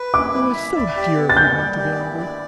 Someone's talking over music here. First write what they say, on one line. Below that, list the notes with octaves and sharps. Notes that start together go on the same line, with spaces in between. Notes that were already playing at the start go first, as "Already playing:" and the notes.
It was so dear of you not to be angry!
Already playing: B4
E4 D6
E4
E5
D5
G4
B3
A6
G3 G6
D5
G4
E4
D5